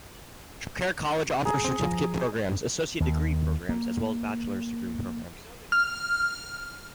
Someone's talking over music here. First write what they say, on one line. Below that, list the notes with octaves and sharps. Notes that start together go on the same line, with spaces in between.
Trocaire College offers certificate programs, Associate's degree programs, as well as Bachelor's degree programs.
G#4 A#5
C4
F3
D#2
A#3
F6